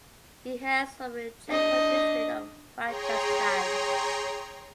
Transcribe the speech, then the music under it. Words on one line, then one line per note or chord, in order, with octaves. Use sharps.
He hails from Jaipur district of Rajasthan.
D4 D#5
G#4 C#5 G5 A#5 C6